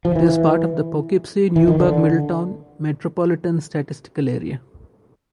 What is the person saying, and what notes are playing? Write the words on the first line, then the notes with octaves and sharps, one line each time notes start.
It is part of the Poughkeepsie-Newburgh-Middletown Metropolitan Statistical Area.
F3
E3
E3
D#3
D3